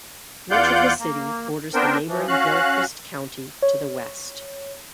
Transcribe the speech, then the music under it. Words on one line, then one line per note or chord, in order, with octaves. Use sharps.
Much of the city borders the neighboring Gilchrist County to the west.
E2 F4 D5 F5 F#5 G6
A#3
B3 C4 D4 A#4 C5 G5
E3 F3
C#4 F#4 F5 F#6
C#5